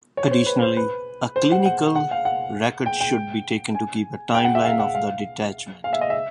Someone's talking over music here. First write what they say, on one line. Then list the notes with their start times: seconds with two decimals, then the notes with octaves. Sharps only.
Additionally, a clinical record should be taken to keep a timeline of the detachment.
0.17 C#5
0.31 C5
0.46 B4
0.62 C5
0.77 B4
1.36 C5
1.52 F#5
1.66 F#5
1.96 F#5
2.11 F5
2.25 F#5
2.86 G5
3.01 G5
3.75 G#5
4.35 G5
4.45 F#5
4.55 E5
4.65 F5
4.79 F#5
4.95 F5
5.84 F5
5.93 E5
6.01 D#5
6.10 E5